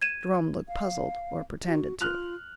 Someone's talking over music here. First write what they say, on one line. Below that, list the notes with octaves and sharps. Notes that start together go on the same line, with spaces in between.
Jerome looked puzzled, or pretended to.
G#6 D#7 E7
F5
F#4
F4 F6 F#6 F7